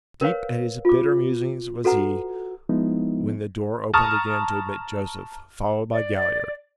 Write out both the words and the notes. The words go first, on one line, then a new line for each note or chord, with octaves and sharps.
Deep at his bitter musings was he when the door opened again to admit Joseph, followed by Galliard.
A#4 B4 C#5 F5
F4 D6
F#4 A4 B4 F#5 A#5
F3 G#3 B3 D#4 E4
A5 A#5 C#6 D#6 F6
D5